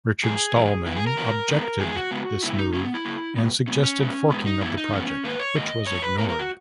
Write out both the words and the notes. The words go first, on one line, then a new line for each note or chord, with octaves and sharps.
Richard Stallman objected this move and suggested forking of the project, which was ignored.
F#2 E3 G#3 G#4
F#2 E3 G#3
F#2 E3 B3 E4
G#4
A#4
F#2 E3 B3
E2 D#3 G#3 B3
E2 D#3 G#3 B3 G#4
F#4
C#3 G#3 B3
C#3 G#3 B3 E4
D#4
C#3 F#3 A#3 C#4
B3
E4
C#3 F#3 A#3
B2 G#3 B3
B2 G#3 B3 C#4
C#4
B2 G#3 B3
B2 G#3 B3
D#4
G#2 E3 B3 E4
D#4
G#2 E3 B3 C#4
G#2 D#3 A#3 B4
C#5
G#2 D#3 A#3 D#5
A#2 G#3 B3 C#5
B4
A#2 G#3 B3 A#4
A#4
F#4